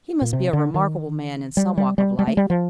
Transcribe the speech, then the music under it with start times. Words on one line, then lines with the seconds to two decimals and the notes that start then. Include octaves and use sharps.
He must be a remarkable man in some walk of life.
0.21 A#2
0.33 C3
0.53 D3
0.74 D#3
1.57 G3
1.78 G3
1.98 G3
2.19 G3
2.27 A3
2.37 G3
2.50 F3